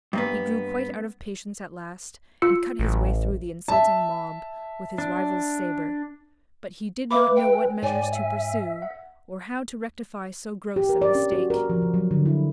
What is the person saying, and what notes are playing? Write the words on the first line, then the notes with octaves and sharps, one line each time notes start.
He grew quite out of Patience at last, and cut his Way thro' the insulting Mob, with his Rival's Sabre; but he did not know what Measures to pursue, or how to rectify so gross a Mistake.
G2 A#3 B3
F4 E6 C#7
A1
E5 A5
D4
B4 E5 F5 B5 D6
G5
A#4 G#5
G#2 C#5 D5 G5 G#5
E5
F#5
G4
A#4
D5
C#4
F#4
A#4
F3
C#3
F#3
D3
E4